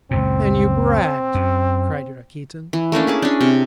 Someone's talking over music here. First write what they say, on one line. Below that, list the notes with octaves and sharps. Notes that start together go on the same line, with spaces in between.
"And you bragged!" cried Rakitin.
C#2 F#2 A#2 C4
F#2
E3
A3 A#3 C#4 D4
E4 G#4 A5
C#4 D4
C3